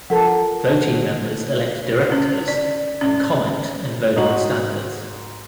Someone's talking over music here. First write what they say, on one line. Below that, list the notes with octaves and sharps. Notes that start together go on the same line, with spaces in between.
Voting members elect Directors and comment and vote on standards.
F3 A4 A#4 F#5 A5
C#4
D5
C#4
G#2 F#4 A#4 D#5 F#7